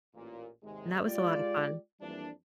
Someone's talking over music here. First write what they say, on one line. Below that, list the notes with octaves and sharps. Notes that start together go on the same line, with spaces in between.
and that was a lot of fun.
A1 A#2
G#1 D#2 C3 G#3
G#3 F4 G4 D5
F2 E3 G3 A#3 D4